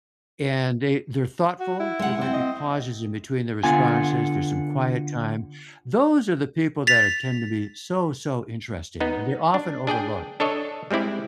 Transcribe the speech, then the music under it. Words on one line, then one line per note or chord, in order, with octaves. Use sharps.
And they they're thoughtful, there might be pauses in-between their responses, there's some quiet time, those are the people that are tend to be so, so interesting, and they're often overlooked.
F#4
E4
G#3 F#5
C4
D#5
D3 B3 F4 G#5
A6 B6 F7
B3 D#4
D4
D4 G#4 D5 G5
D4 A4 C#5 D#5
G3 G#3 C4 E4 D5